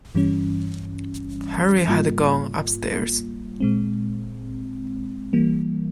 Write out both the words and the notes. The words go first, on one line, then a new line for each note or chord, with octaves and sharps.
Harry had gone upstairs.
G2 E3 G3 C#4
G#2 G3 A#3 F4
A#2 G#3 C4
E3 G3 A#3